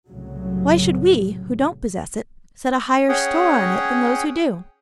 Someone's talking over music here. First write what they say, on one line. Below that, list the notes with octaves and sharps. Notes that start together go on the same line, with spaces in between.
Why should we, who don't possess it, set a higher store on it than those who do?
C2 A2 C#3 F#3
C#4 G#4 C#5 F#5 G5 D#6